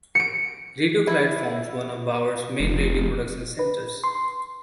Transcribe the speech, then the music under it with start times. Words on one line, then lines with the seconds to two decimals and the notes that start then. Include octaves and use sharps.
Radio Clyde forms one of Bauer's main radio production centres.
0.15 C#7 D7
1.07 E4
2.60 F1
3.59 B4
4.04 C6